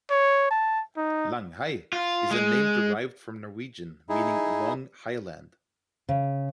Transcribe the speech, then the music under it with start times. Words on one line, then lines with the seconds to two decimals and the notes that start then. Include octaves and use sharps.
Langhei is a name derived from Norwegian meaning "long highland".
0.10 C#5
0.51 A5
0.97 D#4
1.93 F4
2.31 G#3
4.09 D#4 E4 G#4
6.09 C#3